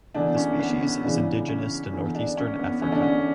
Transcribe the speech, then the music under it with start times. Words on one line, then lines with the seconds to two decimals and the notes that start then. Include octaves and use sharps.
The species is indigenous to northeastern Africa.
0.15 E2 D3 D4
0.36 C#4
0.59 B3
0.81 C#4
1.04 E2 C#3 E3 D4
1.48 C#4
1.93 E2 D3
2.15 D4
2.37 C#4
2.59 B3
2.82 E2 D3 C#4
2.92 D4
3.03 C#4